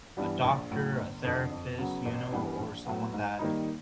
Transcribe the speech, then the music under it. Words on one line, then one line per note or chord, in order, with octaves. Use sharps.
a doctor, a therapist, you know, o or someone that,
G2 E3 G3 B3
A#1
A2 F#3
G1
F2 D3
F2
C#3 F#3 B3
A1
G2 E3 G3 B3
A#1
A2 F#3 B3
G#2
D#3 G3 A#3 D#4